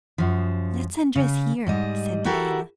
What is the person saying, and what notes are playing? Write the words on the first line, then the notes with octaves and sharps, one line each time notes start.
"Let's undress here," said Diana.
F#2 F3
C#3
G#2 G3 D#5
E4 F#4 G4 A4 A#4